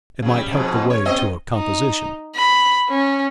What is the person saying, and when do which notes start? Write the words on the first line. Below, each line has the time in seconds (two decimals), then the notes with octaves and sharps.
"It might help the way to a composition."
0.22 C#3 F#3
0.34 G3
0.51 F2 G#2 B2
0.90 C#5
1.05 B3 C#4 D#5
1.54 D#4
2.35 B5
2.89 C#4